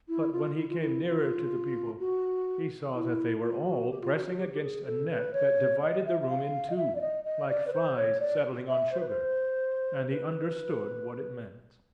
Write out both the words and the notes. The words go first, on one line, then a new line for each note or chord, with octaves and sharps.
But when he came nearer to the people, he saw that they were all pressing against a net that divided the room in two, like flies settling on sugar, and he understood what it meant.
E4
F4
E4
F4
E4
F4
F#4
E4
E4
F4
F#4
G4
F4
F#4
F#4
G4
G4
G#4
A4
B4
C#5
D#5
E5
E5
F5
D#5
E5
D5
D#5
D#5
D5
B4
C5
C#5
D5
E5
C5
B4
C5
B4